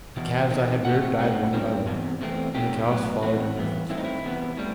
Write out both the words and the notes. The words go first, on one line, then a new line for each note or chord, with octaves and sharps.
The calves I had reared died one by one, and the cows followed in their footsteps.
E2 B2
E2 C3 D#3
E2 D#3 A3 C4 F#5
F#2 D#3 F#3 A3 C4
F#2 D#3 G3 C4
E2 C3
E2 C3 E3 A3 C4
C3 D#3 F#3 A3 G4
A2 F#3 B3
E2 D#3 A3 C4 F#4
G2 E3 B3
G2 D#3 A3 C4 E4
D#4
E4
E2 C3 F#3 B3
A2 G3